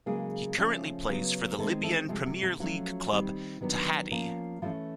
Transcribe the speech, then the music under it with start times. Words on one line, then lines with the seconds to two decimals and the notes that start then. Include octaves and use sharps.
He currently plays for the Libyan Premier League club Tahaddy.
0.06 C#3 F#3 G#3 A#3 G#4
0.58 C#3 F3 A3 C#4
1.08 C#3 F#3 B3
1.52 A#4
1.58 D#3 G#3 A3 C4 A4
1.83 A3 A4
2.08 C3 F3 G#3 A3 G#4
2.26 F#3 F#4
2.42 F#3 F#4
2.60 F3 F#3 A3 C#4 F#4
3.11 D#3 G3 C4
3.61 D#3 F#3 B3 D4
4.11 F3 A#3 C#4
4.62 E3 F3 A3 C#4 F4